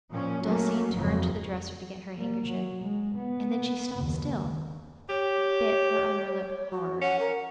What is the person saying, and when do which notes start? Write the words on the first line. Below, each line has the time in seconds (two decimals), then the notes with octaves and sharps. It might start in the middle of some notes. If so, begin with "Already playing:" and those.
Dulcie turned to the dresser to get her handkerchief; and then she stopped still, and bit her underlip hard.
0.11 A#2 F3 C#4
0.44 F#3 A3 A#3 C#4
0.93 F#1 F2 G#2 C#3 F#3
2.16 G3 A#3
2.46 F#3
2.82 G#3
3.15 B3
3.97 F#1 D#2
5.09 G4 C#5
6.71 F#4
7.01 C#4 F#5
7.20 A#4